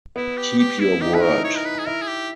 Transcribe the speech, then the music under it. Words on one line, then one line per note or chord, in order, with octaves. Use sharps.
Keep your word.
B3 E4
G4
G4
E4
D#4 G4
E4 B4
D#4 A#4
C#5
A#4
B4
G#4
E4 A#4
G#4
G4